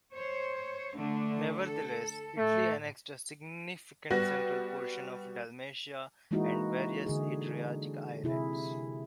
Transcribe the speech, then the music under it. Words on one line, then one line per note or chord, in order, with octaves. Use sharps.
Nevertheless, Italy annexed a significant central portion of Dalmatia and various Adriatic Islands.
C5 C#5
D3 A3 D4
A4
A2 A3
G3 B3 F#4 F#6 A#6
E3 G#3 A#3 D#4 E4 F#4
D3 G#4
C3 E4 G#4